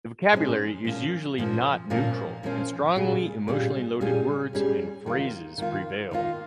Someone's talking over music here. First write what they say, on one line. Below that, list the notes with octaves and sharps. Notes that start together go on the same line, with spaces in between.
The vocabulary is usually not neutral, and strongly emotionally loaded words and phrases prevail.
A#2 F3 G#3 C#4 G#4
A#2 F3 A#3 C#4
A#2 F3 A#3 C#4
A#2 F3 A#3 C#4
A#2 F3 A#3 C#4
A#2 G3 C#4 G#4
A#2 G3 C#4 G#4
A#2 G3 C#4 G#4
A#2 G3 C#4 G#4
D#3 A#3 F4
D#3 A#3 F4
D#3 A#3 F4